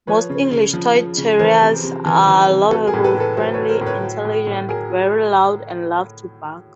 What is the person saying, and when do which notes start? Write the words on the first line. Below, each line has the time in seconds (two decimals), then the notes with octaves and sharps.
Most English toy terriers are lovable, friendly, intelligent, very loud and love to bark.
0.07 F3 B4 C#5
0.29 C#3
0.52 C#3
0.73 F3
0.95 F3
1.17 C#3
1.39 E3 A#4 C5
1.61 C3
1.83 C3
2.06 E3
2.27 E3
2.49 C3
2.71 F#3 A4 B4
2.87 G#4 A#4
2.93 A2
3.04 A4 B4
3.15 A2
3.20 A4 B4
3.37 F#3 A#4 C5
3.53 B4 C#5
3.58 F#3
3.69 A#4 C5
3.81 A2
3.86 B4 C#5
4.03 F#3
4.25 A2
4.47 A2
4.69 F#3 G#4 A#4
4.90 F#3